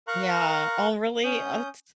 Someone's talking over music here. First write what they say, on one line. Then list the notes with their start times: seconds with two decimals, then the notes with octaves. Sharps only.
Yeah, oh, really? Oh, tiss
0.08 A#4 F5 A#5 C#6 F#6
1.24 C#4 D#6 G6